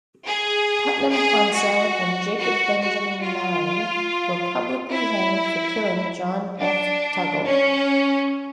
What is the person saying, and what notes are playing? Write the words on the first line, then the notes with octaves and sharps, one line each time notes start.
Putnam Ponsell and Jacob Benjamin Marin were publicly hanged for killing John F. Tuggle.
G#4
G#4
F#4
F#4
F#4
F4
E4
D4
C#4